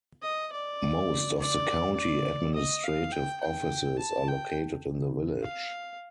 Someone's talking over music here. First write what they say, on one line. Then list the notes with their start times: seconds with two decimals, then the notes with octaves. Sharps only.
Most of the county administrative offices are located in the village.
0.22 D#5
0.52 D5
1.39 D5
1.96 D5
2.55 D#5
2.83 F5
3.12 G5
3.41 G5
3.99 A5
4.28 G5
5.43 F5